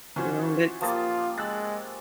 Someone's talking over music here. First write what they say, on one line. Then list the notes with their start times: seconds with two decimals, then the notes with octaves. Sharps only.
Well, let's
0.16 E3 F3 C#4 F#4 C5
0.81 F3 A#3 F4 G4 A5 D#6 A6
1.38 G#3 E6 F#6 A6